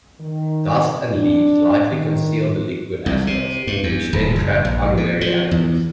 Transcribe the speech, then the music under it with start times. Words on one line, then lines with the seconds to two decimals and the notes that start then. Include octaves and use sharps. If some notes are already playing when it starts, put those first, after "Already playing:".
Dust and leaves likely concealed the liquid asphalt, which then trapped unwary animals.
0.20 D#3
1.14 D4
1.91 D#3
3.06 C2
3.27 C3
3.67 G2
3.83 E2
4.13 D#1
4.36 F#1
4.65 A#1
4.97 A#2
5.21 F3
5.51 E2